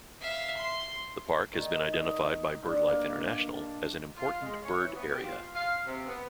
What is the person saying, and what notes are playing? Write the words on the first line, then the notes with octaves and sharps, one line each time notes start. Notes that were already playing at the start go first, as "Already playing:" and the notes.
The park has been identified by BirdLife International as an Important Bird Area.
E5 F5
C6
D#3
D#5
G2
A#3
A5
F4
G#3
C#5
E3
B3
G4
F4
F5
C3
B3